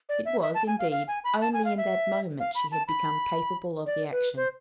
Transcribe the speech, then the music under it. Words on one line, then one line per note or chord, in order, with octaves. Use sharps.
It was, indeed, only in that moment she had become capable of the action.
D5
E5
E5
A5
G#5
F5
F5
G#5
B5
A5
G#5
F5
E5
F5
B5
A5
B5
D5
B4
C5